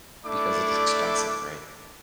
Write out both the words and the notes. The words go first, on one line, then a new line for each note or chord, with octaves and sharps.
Because it's expensive, right?
A3 D4 E4 A4 D5 D6